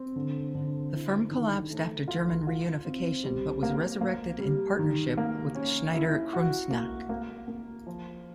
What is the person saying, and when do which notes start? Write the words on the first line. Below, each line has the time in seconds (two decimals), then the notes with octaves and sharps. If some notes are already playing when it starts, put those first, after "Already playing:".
The firm collapsed after German reunification but was resurrected in partnership with Schneider Kreuznach.
Already playing: C4
0.16 D3
0.55 D3
0.93 E4
1.31 D#3
1.70 A3
2.08 F4
2.47 F4
2.85 C4
3.24 G3
3.63 A#3
4.01 A#3
4.40 G3
4.79 D#3
5.17 A#3
5.55 C#4
5.94 E4
6.33 F#4
6.71 A#3
7.09 A#3
7.48 A#3
7.87 F3